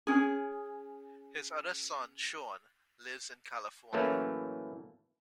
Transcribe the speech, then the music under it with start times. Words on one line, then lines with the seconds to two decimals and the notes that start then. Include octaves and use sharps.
His other son Sean lives in California.
0.07 C#4 G#4
3.93 A2 E3 F#3 A3 A#3 C#4